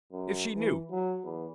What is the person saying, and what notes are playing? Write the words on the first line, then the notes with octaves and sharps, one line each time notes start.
If she knew!
F#2
E3
F#3
E2